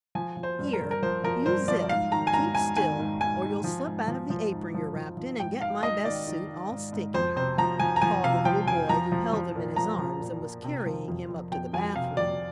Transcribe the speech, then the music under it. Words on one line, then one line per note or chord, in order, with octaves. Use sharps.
"Here, you Zip, keep still, or you'll slip out of the apron you're wrapped in and get my best suit all sticky," called the little boy who held him in his arms and was carrying him up to the bathroom.
F3 G#5
F3
C5
G2
A#4
G2
A#4
F3 C5
F3 A#4
G2 C5
F3 D5
G#2 F5
D#3 A#5
G#5
G#2 A#5
G#2 G#5
D#3 G#5
G#2
G#2 G#5
G#2
F3
G#2
F3
F3
G#2
F3
F3
F3
G#2 G5
G#2 F5
G#2 D#5
D#3 D5
D#3
D#3
G#2
G#2
F2 C5
C3 C5
F3 A#5
F3 G#5
A#5
F3 G#5
C3 F5
F3 G5
F2 G#5
F3 A#5
F3
F3
A#2
F3 A#5
F3
A#2
A#2
C3
F3
F2
F2
F2 G5
F2 G#5
C3 F5
F2 D5